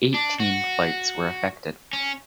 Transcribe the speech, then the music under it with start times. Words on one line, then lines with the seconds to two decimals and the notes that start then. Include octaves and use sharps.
Eighteen flights were affected.
0.14 D4
0.40 F#4
1.93 C#4